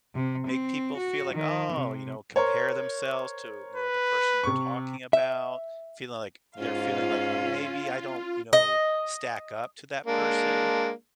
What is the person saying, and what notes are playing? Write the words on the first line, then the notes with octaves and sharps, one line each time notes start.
make people feel like, "Oh" you know, compare themselves to, you know, the person you're talking about, feeling like they're feeling like maybe I don't, you know, stack up to that person,
C3
C4
F#4
D#3
C3
A#4 C5 C#5
B4
C3 C#6
E5
G#2 C#4 F4 F5
D#5
G#3 A#3 D4